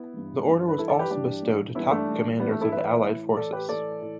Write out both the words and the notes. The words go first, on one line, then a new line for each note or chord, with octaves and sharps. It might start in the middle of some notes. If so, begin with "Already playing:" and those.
The order was also bestowed to top commanders of the Allied forces.
Already playing: B3 E4
G2 E3
G2 E3
B4
G2 E3 E4 A4
A4 D5
G4 B4
G2 E3 D4 G4
G2 E3
G2 E3 B3 E4
A3 D4
G2 E3
G2 E3 G3 B3
A3
E4 A4
A2 E3 B4 E5
A2 E3
A2 E3 A4 D5
G4 B4
A2 E3 A4 D5
A2 E3